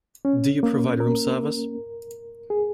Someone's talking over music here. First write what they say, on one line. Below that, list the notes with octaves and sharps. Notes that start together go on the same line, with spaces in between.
Do you provide room service?
C#4
A#3
A#4
G#4